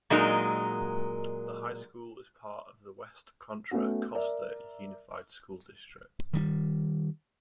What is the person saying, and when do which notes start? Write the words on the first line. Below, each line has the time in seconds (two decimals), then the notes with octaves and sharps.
The high school is part of the West Contra Costa Unified School District.
0.10 A#2 F#3 G#3 D#4 A#4
3.71 A3 B3 C#4 F#4
4.15 A#4 D5 E5
6.34 D#3 G3